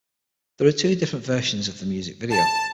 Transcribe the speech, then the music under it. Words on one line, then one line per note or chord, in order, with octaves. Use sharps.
There are two different versions of the music video.
A5